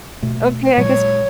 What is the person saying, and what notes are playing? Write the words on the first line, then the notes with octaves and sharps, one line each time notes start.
Okay, I guess
B2 A3
A#2 F#3 G#3 C#5